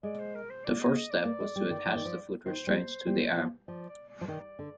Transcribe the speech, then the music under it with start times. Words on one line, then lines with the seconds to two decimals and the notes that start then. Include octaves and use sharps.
The first step was to attach the foot restraints to the arm.
0.03 G#3 D5
0.19 C5
0.35 A#4
0.49 C5
0.64 D5
0.80 D#5
0.95 D#5
1.10 D5
1.25 A#3
1.40 G#3
1.56 G3
1.70 D#3
1.86 F3
1.96 D#3
2.05 F3
2.46 D#3 C5
2.67 G3
3.07 G3
3.38 F3
3.68 F3 D5
3.88 D5
4.09 D5
4.21 F3
4.28 D#3 D5
4.59 D3